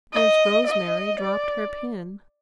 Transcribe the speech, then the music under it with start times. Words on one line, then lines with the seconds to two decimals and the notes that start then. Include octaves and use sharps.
Nurse Rosemary dropped her pen.
0.13 D#5
0.67 D#5
1.20 D5